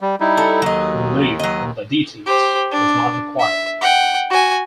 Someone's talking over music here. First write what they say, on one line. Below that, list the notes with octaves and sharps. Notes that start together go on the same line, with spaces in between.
Belief in the deities was not required.
G3
G3 D#4 E4
A4
D#2 F#3 D#5
F#3 D#5
G4 C5
D4
E5
F#5 G5
F#4 G#5